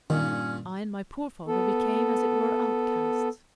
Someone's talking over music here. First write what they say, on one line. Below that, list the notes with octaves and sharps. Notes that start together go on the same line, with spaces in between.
I and my poor father became as it were outcasts.
G2 A#2 D#3 C#4
B3 A4